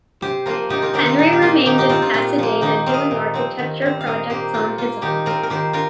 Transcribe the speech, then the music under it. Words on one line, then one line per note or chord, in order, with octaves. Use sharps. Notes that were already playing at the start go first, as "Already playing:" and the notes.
Henry remained in Pasadena, doing architecture projects on his own.
C3 G4 C5
F3 A#3 F4 A#4
C3 D#4 G4
F4 A#4
D#3 C4 D#4 G4
F4
A#2 D#4
G4
A#3 F4
D#3 D#4 G4
D#4 G4
C4 F4
F4
A#2 F4
F3 A#3
D#3 D#4 G4
C4 F5
A#4 D#5
A#2
F3 C4
D#3
G3 C4
F5
A#2 A#4 D#5
A#3 G4 C5
A#2 F4 A#4
A#3 F4
D#3 D#4 G4
C4 F4 A#4
A#4
D#3 G4 C5
F4 A#4